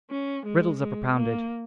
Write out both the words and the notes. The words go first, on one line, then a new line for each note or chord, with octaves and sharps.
Riddles are propounded.
C#4
G#3
G#3
A#3